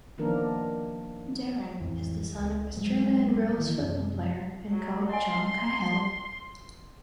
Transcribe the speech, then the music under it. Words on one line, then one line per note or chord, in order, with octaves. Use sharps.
Darren is the son of Australian rules football player and coach John Cahill.
D#3 F3 A#3 B3 D4 A#4
A1 F2 E3
C#2
G#2 F#3 G#3
D#3 E3 A#3
F#2 C3
F#3
D#5 G#5 C6